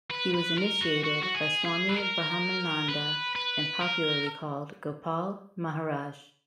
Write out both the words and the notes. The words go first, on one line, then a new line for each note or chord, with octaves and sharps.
He was initiated by Swami Brahmananda and popularly called "Gopal Maharaj".
B4
B4
A#4
F#4
F#4
F#4
G#4
G#4
B4
A#4
B4
B4
A#4